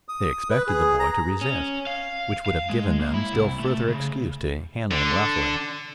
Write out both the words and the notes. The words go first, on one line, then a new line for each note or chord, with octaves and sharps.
They expected the boy to resist, which would have given them still further excuse to handle him roughly.
D#6
B4
G#4
A#5
C#4
F5
F5
G#3
A#3
E4
C2
A3
C#3
D3